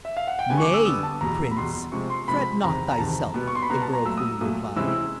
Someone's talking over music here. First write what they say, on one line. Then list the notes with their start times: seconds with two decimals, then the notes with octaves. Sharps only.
"Nay, Prince, fret not thyself," the girl coolly replied.
0.05 E5
0.17 F5
0.27 F#5
0.39 G5
0.50 D3 G3 B3 G#5
0.57 C#6
0.62 D6
0.74 E6
0.85 D3 G3 B3 D#6
1.03 A5
1.21 E2 B2 G3 A#5
1.51 B5
1.57 E2 B2 G3 C6
1.92 C3 F3 G#3 C#6
2.10 C6
2.28 C3 F3 G#3 B5
2.63 E2 C3 D#3 A#5
2.92 A#5
2.99 E2 C3 D#3 A5
3.34 B2 G3 B3
3.48 C#6
3.55 C6
3.62 B5
3.70 B2 G3 B3 A#5
3.82 A5
3.93 A#5
4.05 A#2 F#3 A3 E6
4.17 D#6
4.41 A#2 F#3 A3 D#6
4.76 C3 E3 G#3 C#4 E4 E6